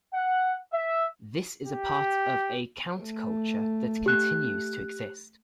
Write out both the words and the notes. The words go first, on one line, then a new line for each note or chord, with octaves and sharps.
This is part of a counterculture that continues to exist.
F#5
E5
G4
A3
G4 F#6